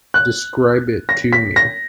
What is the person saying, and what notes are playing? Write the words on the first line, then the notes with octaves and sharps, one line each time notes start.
Describe it to me.
F#6
A#6
B6
A#6